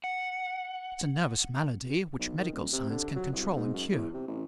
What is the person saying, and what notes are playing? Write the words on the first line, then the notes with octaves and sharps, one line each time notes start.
It's a nervous malady, which medical science can control and cure.
F#5
B1
D#3
D#1
C3
D3
F#3
C2
G#2
F#2
E2
C3
A1